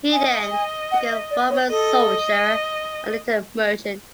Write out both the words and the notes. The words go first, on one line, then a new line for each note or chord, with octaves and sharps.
He then became a Roman soldier and later merchant.
D#5 G#5
G#5
F#5
E5
D5
C#5
A4 D#5